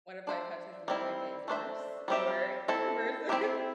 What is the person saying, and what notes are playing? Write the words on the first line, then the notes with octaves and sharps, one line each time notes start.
one of my pets has made my day worse, or versus
D4 C5 E5
G3 C4 E4
A3 D4 C5 E5
G3 C4 G4 E5
C4 E4 A4
C4 E4 G4 E5